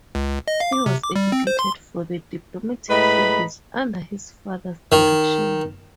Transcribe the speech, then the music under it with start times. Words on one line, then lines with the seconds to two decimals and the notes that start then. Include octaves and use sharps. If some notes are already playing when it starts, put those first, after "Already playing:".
He was educated for the diplomatic service under his father's direction.
0.15 C#2
0.48 D#5
0.60 F5
0.73 D6
0.86 C3
1.03 D6
1.16 G3
1.32 C4
1.47 C5
1.59 C6
2.90 A2 G#3 B4 D#5 A#5 B5
4.92 D#3